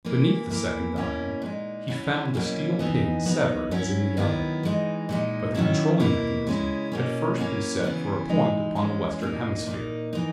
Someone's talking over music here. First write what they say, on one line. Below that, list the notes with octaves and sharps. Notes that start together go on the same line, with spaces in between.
Beneath the second dial he found the steel pin severed as in the other, but the controlling mechanism had first been set for a point upon the western hemisphere.
E3 A#3 E4
E3 A#3 E4
B2 A#3 C#4 E4
A#2 G#3 D#4
F#3 C#4 E4
B2 F#3 A#3 C#4 E4
E3 B3 D#4
F#3 B3 D#4
F#3 C#4 E4
D#3 F#3 B3 E4
E3 G#3 D#4
A#2 G#3 D#4
D#3 F#3 C#4 E4
B2 A#3 E4
C#3 G#3 C#4 E4
B2 A#3 C#4
F#3 A#3 C#4 E4
C#3 E3 B3 E4
E3 G#3 D#4
E3 G#3 C#4
A#2 A#3 D#4
A#2 A#3 D#4
E3 A#3 D#4